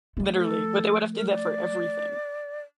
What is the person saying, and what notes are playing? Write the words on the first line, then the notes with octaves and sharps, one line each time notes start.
Literally, but they would have did that for everything.
F3 A3
A4
A#4
D5